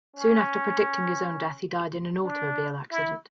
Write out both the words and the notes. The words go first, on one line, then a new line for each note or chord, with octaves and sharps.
Soon after predicting his own death, he died in an automobile accident.
C#4
D4
E4